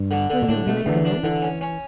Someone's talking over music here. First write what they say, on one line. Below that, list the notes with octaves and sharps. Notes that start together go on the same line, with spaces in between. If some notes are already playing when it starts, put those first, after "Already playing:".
'Will you really go?
Already playing: G2
D3
D3
B2
A2 D4
B2 A3
E2 D3
D4
D3 E3
C#4
C#4